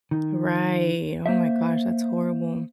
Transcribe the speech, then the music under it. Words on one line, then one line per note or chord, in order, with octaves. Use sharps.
Right, oh my gosh, that's horrible.
D#3
A#3 C5 E5